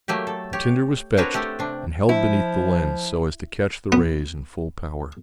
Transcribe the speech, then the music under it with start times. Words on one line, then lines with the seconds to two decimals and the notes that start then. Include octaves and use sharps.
The tinder was fetched, and held beneath the lens so as to catch the rays in full power.
0.08 F#3 A3 A#3 G4
0.27 A4
0.53 G4 C#5
1.17 C4 D4 F#4 A#4 B4 C#5
1.34 A3 G4 A4 F#5
1.59 C3 D4
2.09 F3 E4
3.92 B3